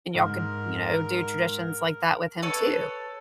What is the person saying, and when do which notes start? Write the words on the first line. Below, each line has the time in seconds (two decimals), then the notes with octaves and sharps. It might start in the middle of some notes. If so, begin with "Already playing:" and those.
and y'all could, you know, do traditions like that with him too.
0.14 G#2 A#4
2.42 A4 B4 C#5